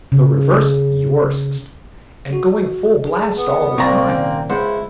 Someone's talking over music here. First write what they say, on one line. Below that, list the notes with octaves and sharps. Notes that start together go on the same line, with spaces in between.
The reverse of your system, and going full blast all the time.
C#3
F#4
G#4
B3
C2 A#2 A#3 C4 G#5 A#5 C#6 A6
D#3 C#4 G5
C#2 G#3 E4 C5 F#5